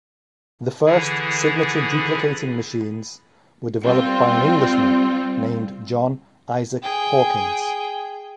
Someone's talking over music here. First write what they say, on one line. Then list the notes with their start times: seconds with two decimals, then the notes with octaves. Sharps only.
The first signature duplicating machines were developed by an Englishman named John Isaac Hawkins.
0.86 D3 E3 E4 G#4
3.82 G3 C4 F4
6.82 G#4 G5